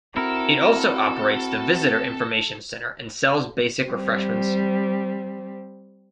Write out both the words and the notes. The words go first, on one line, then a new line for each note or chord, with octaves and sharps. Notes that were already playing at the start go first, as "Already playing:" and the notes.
It also operates the Visitor Information Centre and sells basic refreshments.
C4 E4 F#4 A4 A#4
G3 C4